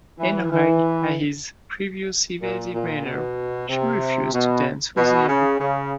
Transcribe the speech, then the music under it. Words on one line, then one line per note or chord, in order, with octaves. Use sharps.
Annoyed at his previous evasive maneuver, she refuses to dance with him.
E3
E3
A#2
A#2
B2
C3
B2
B2
C#3
C#3